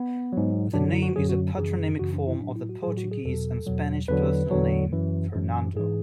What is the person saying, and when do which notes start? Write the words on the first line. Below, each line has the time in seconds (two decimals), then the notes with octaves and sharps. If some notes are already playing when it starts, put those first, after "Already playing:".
The name is a patronymic form of the Portuguese and Spanish personal name "Fernando".
Already playing: B3
0.33 G#2 F#3
0.74 F#2 D3 F#3 D4
0.89 E4
1.03 F#4
1.16 F#2 D3 F#3 G#4
1.29 F#4
1.58 F#2 C#3 E3 G#4
1.99 F#2 C#3 E3 F#4
2.13 D4
2.27 E4
2.41 A2 F#3 D4
2.56 E4
2.69 F#4
2.83 A2 F#3 G#4
2.97 F#4
3.12 G#4
3.25 E2 B2 F#3 A4
3.67 E2 B2 F#3
4.08 E2 D3 F#3 B4
4.51 E2 D3 F#3
4.93 F#2 E3
5.35 F#2 E3
5.76 G#2 E3 G#4